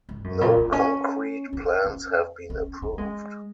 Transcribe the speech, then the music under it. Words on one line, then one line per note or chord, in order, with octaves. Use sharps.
No concrete plans have been approved.
G#2
F#2
A#2
G#3
C#4
D#4
C#4
C#4
C#4
G#3